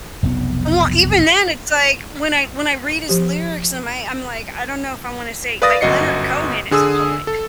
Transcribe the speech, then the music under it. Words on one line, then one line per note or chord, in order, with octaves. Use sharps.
Well, even then it's, like, when I when I read his lyrics and I I'm, like, I don't know if I wanna say, like, Leonard Cohen is a poet.
F1 B1 F2 B3
F3 G4
B4 D5 F5 D#6 A6 A#6
G1 F#2 F#4 D#5 C7 C#7
D3 G#4 D#6 E6
A4